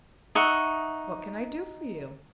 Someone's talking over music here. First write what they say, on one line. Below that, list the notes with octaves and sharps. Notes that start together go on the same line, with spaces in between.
"What can I do for you?"
D#4 E5 F#5 C#6